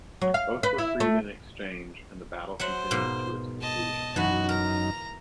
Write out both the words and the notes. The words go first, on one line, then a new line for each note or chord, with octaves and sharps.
Both were freed in exchange and the battle continued to its conclusion.
F#3
F5
B4
E4
A3
F#3 C5 E5 F#5
G#2 B2 A#3
D#5 A5
F#2 E3 D#4 F#4 B4
A#4 A#5